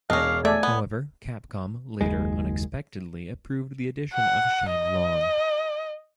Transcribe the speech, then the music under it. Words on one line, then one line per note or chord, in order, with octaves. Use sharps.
However, Capcom later unexpectedly approved the addition of Sheng Long.
E1 C#4 D4 C#5 D#5 F5
A3 A4 D5 E5 G#5
B3
F#1 D#2 G#3
F#5
D#5